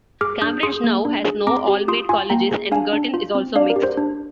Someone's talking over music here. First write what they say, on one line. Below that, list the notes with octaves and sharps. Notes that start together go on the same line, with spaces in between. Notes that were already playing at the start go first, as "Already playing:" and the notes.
Cambridge now has no all-male colleges and Girton is also mixed.
G#4 D6 F6
D4 D#6 G6
G#4 C6 D#6
A#3
D4
G#4
C4 A#5 D6
G4
F4 C6 D#6
F4 G#5 C6
A#3 G5 A#5
G#4
D4 F5 G#5
D4
F4
C4
D4 D5 F5
A#4
G4
C5
D4